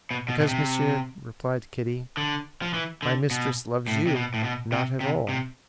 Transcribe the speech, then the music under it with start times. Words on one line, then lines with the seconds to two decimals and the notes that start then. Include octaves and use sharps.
"Because, monsieur," replied Kitty, "my mistress loves you not at all."
0.11 B2
0.28 B2
0.40 B2
0.48 C3
2.17 D3
2.62 F3
2.74 E3
3.03 D3
3.31 B2
3.88 A2
4.07 C3
4.15 B2
4.34 A2
4.44 B2
4.72 C3
5.01 C3
5.29 C3